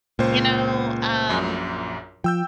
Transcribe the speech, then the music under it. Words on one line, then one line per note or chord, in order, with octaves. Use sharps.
You know, um
C#2 A#2 C5
A#1 F#2
F3 G5 E6 G6